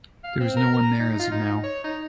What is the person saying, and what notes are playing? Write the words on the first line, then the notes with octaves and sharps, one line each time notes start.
There is no one there as of now.
F5
C4
A#4
A#5
D#4
F4
D#4
C#5
D#4